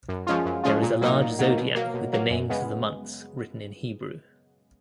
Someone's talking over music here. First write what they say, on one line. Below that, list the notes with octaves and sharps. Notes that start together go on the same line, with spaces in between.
There is a large Zodiac with the names of the months written in Hebrew.
F#2
F3 G#3 C#4 F4
F#2
F3 G#3 C#4 F4
A#2
F#3 A#3 D#4
A#2
F#3 A#3 D#4
B2
F#3 A#3
B2
F#3 A#3
F#2
C#3 G#3 B3